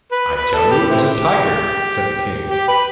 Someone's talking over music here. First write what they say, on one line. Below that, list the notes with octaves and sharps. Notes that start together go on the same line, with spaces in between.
'I tell you it was a tiger,' said the king.
B4
B4
A4
G4
C4 E4 G4
G4
B4